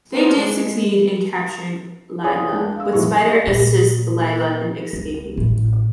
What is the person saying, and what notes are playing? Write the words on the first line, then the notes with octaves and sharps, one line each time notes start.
They did succeed in capturing Lila, but Spyder assists Lila in escaping.
B3 C#4 D4 A#4 C5
G#3
F4 G#4 C#5 D5 G#5 D#6
G#3 D4
F5 E6
F1 F#2 A#2 E3 C#6
A#2
C#2
A1